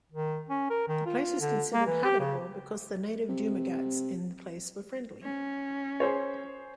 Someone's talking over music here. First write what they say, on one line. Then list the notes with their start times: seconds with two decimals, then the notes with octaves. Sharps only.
The place is considered habitable, because the Native Dumagats in the place were friendly.
0.12 D#3
0.49 C#4
0.70 A#4
0.88 D#3
1.06 F4
1.40 D3
1.73 A#3
1.86 E3
2.04 G4
2.20 C#3
3.29 C3
5.23 C#4
6.00 G#4 C5 C#5